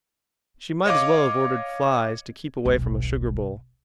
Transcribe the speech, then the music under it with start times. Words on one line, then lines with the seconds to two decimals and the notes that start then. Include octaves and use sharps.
She might as well have ordered flies to keep away from a sugar-bowl.
0.86 C#5 D#5 F5 D6
2.65 D#1 B1